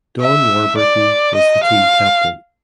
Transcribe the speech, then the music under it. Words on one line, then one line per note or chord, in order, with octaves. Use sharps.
Don Warburton was the team captain.
E5
D5
D#5
F5